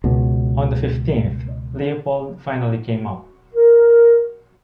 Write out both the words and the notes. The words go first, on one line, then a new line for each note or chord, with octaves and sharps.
On the fifteenth, Leopold finally came up.
C#2 B2
A#4